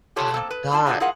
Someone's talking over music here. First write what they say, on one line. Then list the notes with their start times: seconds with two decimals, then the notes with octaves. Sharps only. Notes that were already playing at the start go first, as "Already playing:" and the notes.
Uh, not,
0.16 F4 G4 A4 C#5
0.34 A#3 C4 A4
0.51 B4
0.72 G2 D4 F4 A5
0.85 A#2 C#3 D4 F4 F#4 G#4
1.00 E4 F4 G#4 A#4 F5 F#5